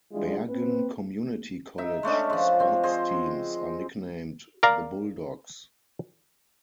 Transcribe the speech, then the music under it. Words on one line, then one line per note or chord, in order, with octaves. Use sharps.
Bergen Community College sports teams are nicknamed the Bulldogs.
E3 G3 G#3 D4 E4 F4
C4 B4
D#4 E5
G#3 A3 C#4 D4
F3 G#3
C4
G#4 C5 D#5
A#4 D5 F5 A#5